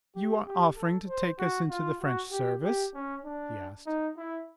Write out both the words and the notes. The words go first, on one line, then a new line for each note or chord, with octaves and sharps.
"You are offering to take us into the French service?" he asked.
G4
G4
A4
C5
F#4
F4
F#4
G4
G4
C#4
D4
D#4
E4